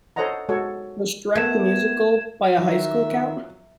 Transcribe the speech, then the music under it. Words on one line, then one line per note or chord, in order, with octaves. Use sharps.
Was Shrek the musical, by a high school, count?
A4 C5 C#5 D#5 F#5 A#5
G#3 F#4 A4 C#5
A3 B3 A#4 B4 G#6 E7
D#3 F3 F#3 E5